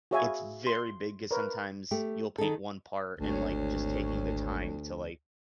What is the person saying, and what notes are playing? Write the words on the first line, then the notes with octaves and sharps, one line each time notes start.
It's very big 'cause sometimes you'll paint one part and, like, just taking the time to, like
F#4 G#4 C#5 E5 F5 G#5
C6
A#4 B4 C#5
A3 G4
D#3 D#4 G#4 A4
G#1 D2 C#5